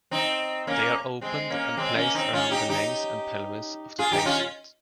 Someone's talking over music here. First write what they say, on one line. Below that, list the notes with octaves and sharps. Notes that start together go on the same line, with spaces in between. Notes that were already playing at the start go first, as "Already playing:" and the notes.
They are opened and placed around the legs and pelvis of the patient.
C4 D#4
A#3 C#4
G#3 C4
A#3 C#4
G#3 C4
A#3 C#4
C4 D#4
C#4 F4
D#4 G4
D#4 G4
F4 G#4
D#4 G4
C#4 F4